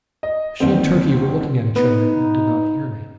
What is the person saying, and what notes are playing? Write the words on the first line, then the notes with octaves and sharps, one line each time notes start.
She and Turkey were looking at each other, and did not hear me.
D#5
G1 D#2 C4
B3 D#4